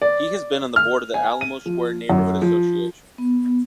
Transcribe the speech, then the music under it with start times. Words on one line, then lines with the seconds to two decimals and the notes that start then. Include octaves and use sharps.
He has been on the board of the Alamo Square Neighborhood Association.
0.02 D5
0.76 F6
1.14 G#5
1.41 D#7
1.66 F3
2.10 F#2
2.42 F3
3.18 B3